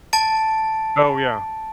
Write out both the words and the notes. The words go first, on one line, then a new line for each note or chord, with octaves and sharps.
Oh, yeah.
A5 A6 D7